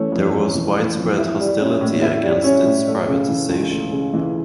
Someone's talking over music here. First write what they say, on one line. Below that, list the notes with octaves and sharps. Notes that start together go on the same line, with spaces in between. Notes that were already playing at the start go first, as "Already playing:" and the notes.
There was widespread hostility against its privatisation.
Already playing: E3 A3 C#4
F2
C#4
E3
A3
F2
E4
G3
C#4
A2
E4
G3
C#4
A2
A3
C#3
E3
C#2
A3
C#3
E3